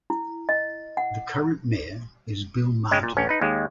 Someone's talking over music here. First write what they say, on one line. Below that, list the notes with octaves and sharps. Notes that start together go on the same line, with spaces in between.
The current mayor is Bill Martin.
E4
D#5
F#5
C#3 G#3 G5
A#2
A1 C#4
D#4 B4
D#2 G#3